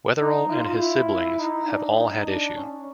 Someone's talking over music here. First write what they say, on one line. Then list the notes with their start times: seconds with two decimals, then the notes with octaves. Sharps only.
Weatherall and his siblings have all had issue.
0.21 D#4
0.50 F4
0.80 E4
1.39 D#4
1.68 D4
1.98 D#4
2.27 D4
2.56 C#4